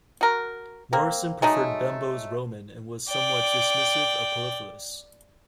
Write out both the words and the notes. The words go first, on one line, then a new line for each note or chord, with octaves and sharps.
Morison preferred Bembo's roman and was somewhat dismissive of Poliphilus.
F#4 A#4
A#3 C4
F#3 G#3 A3 D#4
D5 G5